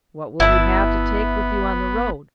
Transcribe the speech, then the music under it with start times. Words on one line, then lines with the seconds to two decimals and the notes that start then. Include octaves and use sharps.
"What will you have to take with you on the road?"
0.40 G1 B3 E4 A5